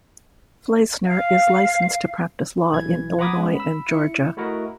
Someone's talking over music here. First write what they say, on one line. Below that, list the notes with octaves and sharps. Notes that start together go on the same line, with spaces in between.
Fleissner is licensed to practice law in Illinois and Georgia.
F5
B1 E3 G#6
F#5 A#5 B5 D6 D#6 G#6
G#3 B3 C#4 D#4
B5 E6
E4 C#7
A3 E4 F#4 A#4 D#5 F#5